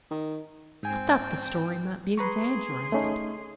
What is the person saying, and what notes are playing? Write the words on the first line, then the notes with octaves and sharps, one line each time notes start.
I thought the story might be exaggerated.
D#3
G#2 C4 G5 G#5
G#4 B4 A#5 C6 C#6
A3 C#4 D#4